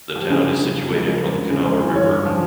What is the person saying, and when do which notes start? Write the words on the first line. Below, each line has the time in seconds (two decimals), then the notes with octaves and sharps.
The town is situated on the Kanawha River.
0.15 F3 G4
0.30 C#3
0.45 F3 G#4
0.61 C#3
0.75 F3
0.90 C#2
1.05 C#2 A#4
1.21 F3
1.35 C#2
1.50 C#3
1.66 C#2 C5
1.80 E3
1.95 G2 C#5
2.10 G2
2.25 F3